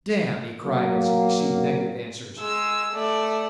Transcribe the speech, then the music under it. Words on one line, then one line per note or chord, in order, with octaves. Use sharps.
"Damn!" he cried as he received negative answers.
F#3 A#3
G#3 E6
A3 D5